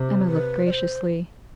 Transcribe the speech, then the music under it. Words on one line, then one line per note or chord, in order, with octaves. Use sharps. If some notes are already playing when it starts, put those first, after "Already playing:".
Emma looked graciously.
Already playing: C3
B4
D5
C5